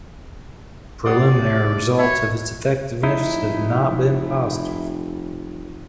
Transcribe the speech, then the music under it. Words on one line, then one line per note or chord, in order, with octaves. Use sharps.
Preliminary results of its effectiveness have not been positive.
A2 G4 C5 D5 F#5 D#6
C#5 E5 B5
F1 D#4 E4